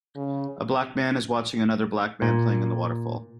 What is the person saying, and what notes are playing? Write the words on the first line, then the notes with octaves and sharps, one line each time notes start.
A black man is watching another black man playing in the waterfall.
C#3
A#2